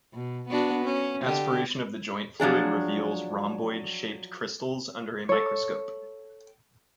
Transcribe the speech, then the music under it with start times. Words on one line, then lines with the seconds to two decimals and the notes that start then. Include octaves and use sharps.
Aspiration of the joint fluid reveals rhomboid-shaped crystals under a microscope.
0.13 B2
0.49 B3 D4 F#4
0.84 C#4
1.24 D3 G4
2.40 F3 F#3 D4 G#4
5.29 A4 C#5